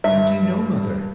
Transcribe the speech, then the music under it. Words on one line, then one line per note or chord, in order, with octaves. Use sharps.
"How do you know, mother?"
G2 E5